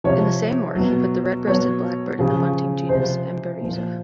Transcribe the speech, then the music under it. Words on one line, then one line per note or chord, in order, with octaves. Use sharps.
In the same work, he put the red-breasted blackbird in the bunting genus "Emberiza".
C3 F3 C#5
B2 F#3
B2 F#3 C#5
C#3 F3
C3 F3 C5
A#2 F3